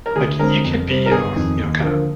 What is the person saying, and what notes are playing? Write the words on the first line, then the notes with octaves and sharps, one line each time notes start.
like, you could be, uh, you know, kinda
A#4
D2 G#4
D3 G#3 C4 A#4
F2
C3 G3 C4
A#4
G1 G#4
F2 D#3
D#2
D3 F3 A#3